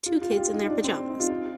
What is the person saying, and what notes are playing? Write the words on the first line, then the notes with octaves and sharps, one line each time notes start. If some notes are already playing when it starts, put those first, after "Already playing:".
Two kids in their pajamas.
F4
F4
G4
F4
D#4
D4
C4
D#4
F4
F4